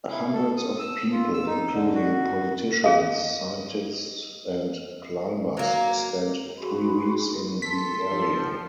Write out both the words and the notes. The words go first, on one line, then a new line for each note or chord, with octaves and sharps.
Hundreds of people, including politicians, scientists and climbers, spent three weeks in the area.
E4
A4
D#6
E6
F4
E6
D#4
D3
F#4
C#4 G#4 D#5 F5
F#3 A#3
F#4 G#4 B5 C6
A4 C6 B6
F3